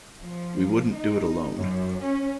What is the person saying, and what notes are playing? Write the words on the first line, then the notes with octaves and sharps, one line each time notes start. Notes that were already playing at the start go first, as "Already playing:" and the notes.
We wouldn't do it alone.
F3
D#4
F#2
C#4